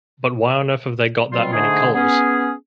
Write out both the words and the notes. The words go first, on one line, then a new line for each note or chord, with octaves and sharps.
But why on earth have they got that many colours?
B2 F#3 G3 C4 F4 C6
G#2 D3 A3 D4 G#4
B3 C#4 G#4